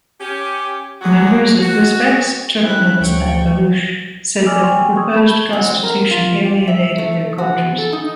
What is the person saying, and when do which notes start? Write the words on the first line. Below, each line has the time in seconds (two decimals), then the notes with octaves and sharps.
Members of Uzbeks, Turkmens and Baluch said that the Proposed Constitution alienated their cultures.
0.21 C#4 G4
1.01 E2 D3 F#3 F#4 G#4
1.61 F#4
2.63 G3 C#4 E4 G4 C5 F#6
3.00 D2 G5 C#6
4.46 D5 G#5 D6 E6 F6
4.62 G5 G#5 C6 C#6 F6
4.95 C6 C#6 D#6 E6 G#6
5.13 A5 B5 C#6 G6 G#6
5.53 F#3
5.70 C4
5.83 A#4
6.11 F4
6.45 G4
6.68 E5
6.98 A3
7.38 F#4
7.78 A4
7.93 D#4